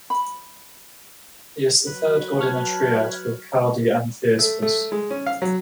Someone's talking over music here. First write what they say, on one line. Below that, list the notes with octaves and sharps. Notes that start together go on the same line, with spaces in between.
He is the third god in a triad with Khaldi and Theispas.
B5
F#3 B4
A5 C#6 F6 G#6
A3
A3
G#3
C#4
F5
F#3